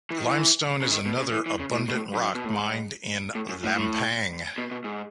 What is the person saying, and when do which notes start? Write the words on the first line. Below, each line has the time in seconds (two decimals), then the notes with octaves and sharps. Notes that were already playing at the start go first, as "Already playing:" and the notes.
Limestone is another abundant rock mined in Lampang.
0.10 E3
0.18 D#3
0.26 E3
0.82 C#3
0.91 D#3
1.06 B2
1.18 C#3
1.32 E3
1.46 E3
1.59 C#3
1.72 A2
1.88 B2
1.93 A2
2.13 F#2
2.35 B2
2.45 A2
2.54 G#2
3.35 A2
3.49 F#2
3.63 A2
3.76 A2
4.58 B2
4.71 B2
4.84 G#2